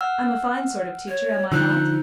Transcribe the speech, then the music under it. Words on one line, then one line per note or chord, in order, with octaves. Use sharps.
I'm a fine sort of teacher, am I not?
F#5 E6 F6
C#5
D3 F3 D#4 E6 F#6 G6